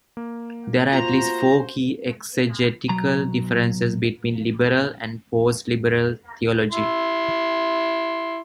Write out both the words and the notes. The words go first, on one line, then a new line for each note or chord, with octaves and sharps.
There are at least four key exegetical differences between liberal and postliberal theology.
A#3
F4 F#4 C5 A#5
B1 F#3 A#5
E4 C6